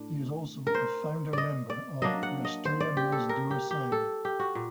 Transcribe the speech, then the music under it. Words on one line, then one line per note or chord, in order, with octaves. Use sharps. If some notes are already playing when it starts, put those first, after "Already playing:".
He is also founder member of Rashtriya Mazdoor Sangh.
Already playing: A2 D4
A#4
C5
D5 D#5
D5
F#3 A#3 D4 D#5
F#5
D#5
C5
D5
G4
A4
A#4
G4
G4
A4
G4
F#4
A#2